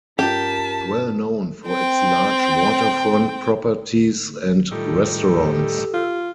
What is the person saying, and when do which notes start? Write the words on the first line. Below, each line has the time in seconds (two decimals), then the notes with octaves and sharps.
It's well known for its large waterfront properties and restaurants.
0.19 G2 C#4 F4 G4 A#4 A5 B6
1.66 C4 G5
4.71 A2 D#3 G3 F4 A4
5.40 G4
5.94 F4